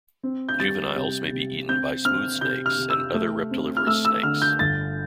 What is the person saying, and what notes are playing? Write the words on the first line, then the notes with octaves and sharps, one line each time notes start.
Juveniles may be eaten by Smooth Snakes and other reptilivorous snakes.
C4
G6
G3 A6
C3
C3
C4 G6
C4 F6
C3 G6
F6
C3
E6
A3
C4
F6
A3 E6
E6
D3 F6
G6
G1 A6